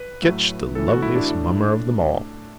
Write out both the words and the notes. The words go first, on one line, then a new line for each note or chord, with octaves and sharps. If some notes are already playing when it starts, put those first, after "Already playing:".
Kinch, the loveliest mummer of them all!
Already playing: B4
A2 F#3 A3
A2 E3 A3 A4
F#4
E4
D4
A2 A3